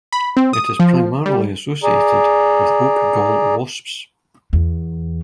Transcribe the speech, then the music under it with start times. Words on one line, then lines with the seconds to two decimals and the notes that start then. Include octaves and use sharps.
It is primarily associated with oak gall wasps.
0.12 B5
0.37 C4
0.53 D#6
0.80 F3
1.26 G3
1.83 G#4 D5 A#5
4.53 E2